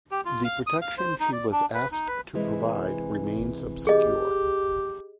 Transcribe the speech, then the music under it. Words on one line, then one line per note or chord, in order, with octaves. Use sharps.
The protection she was asked to provide remains obscure.
G4
F4
F5
D#6
F5
C5
D#4
D5
D4
B4
D#4
B4
C3 E3 G#3
G4 G#4 D#5